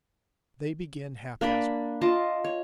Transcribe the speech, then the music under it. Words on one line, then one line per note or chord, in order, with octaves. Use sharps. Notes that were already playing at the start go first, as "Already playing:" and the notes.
They begin haphazard.
A#3 D4 D5 B5
F4 D#5 A5 D6
C#5